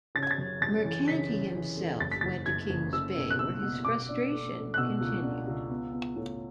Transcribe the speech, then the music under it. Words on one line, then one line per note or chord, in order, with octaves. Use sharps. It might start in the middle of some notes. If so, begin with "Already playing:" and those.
Mercanti himself went to Kings Bay where his frustration continued.
C#3 A6
G#6
A6
F#2
F#2 A6
E3
C#3 B6
C#3
E3
A3
F#1 A6
B6
F#1 A6
F#1 G#6
F#1
F#1 E6
B2
F#6
F#1 E6
B2
B2 D6
D4
A3
A3
F#6
B2 E6
C#2
D4
C#2
B3
B3
A2